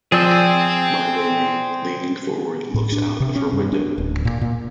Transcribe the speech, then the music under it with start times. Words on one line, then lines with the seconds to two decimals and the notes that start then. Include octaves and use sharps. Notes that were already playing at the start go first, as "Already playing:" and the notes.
My Lady, leaning forward, looks out of her window.
0.12 F3 G#4 C5 D5 G5 E6
2.74 A2
2.92 D4
3.20 C3
3.36 C#4
3.53 G2
3.72 D4
3.98 D1
4.25 A#2
4.41 A#2